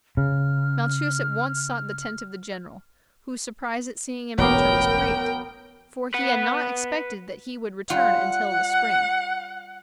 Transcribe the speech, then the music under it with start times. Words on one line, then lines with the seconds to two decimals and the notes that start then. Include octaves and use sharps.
Malchus at once sought the tent of the general, whose surprise at seeing him enter was great, for he had not expected that he would return until the spring.
0.17 C#3 F6
4.38 E1 A1 G#2 F#3 B3 A#4 G5 D6
6.14 B4 F#5
7.90 G3 F4 F#5